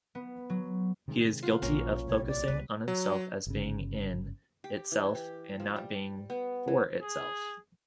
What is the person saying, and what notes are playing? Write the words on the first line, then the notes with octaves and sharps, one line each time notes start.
He is guilty of focusing on himself as being-in-itself and not being-for-itself.
B3
F#3
C3 D#3 G#3
F4 F#5
A#1 B2 A#3 C#4 A#4
C2 G3 C#5
D5
C#2 B3 B4
F#3
G1 C#3
G4
E3
G4
F3
G3
B3
E3
G#4